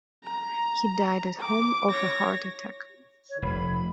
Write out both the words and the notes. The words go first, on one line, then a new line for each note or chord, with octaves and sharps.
He died at home of a heart attack.
A#5
D6
C#5 A#6
C#5
F1 B5